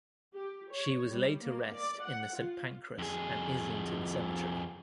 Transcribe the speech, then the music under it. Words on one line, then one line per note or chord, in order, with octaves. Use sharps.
She was laid to rest in the St Pancras and Islington Cemetery.
G4
C#5
G3
A#3
D5
F#5
F4
F2 G#4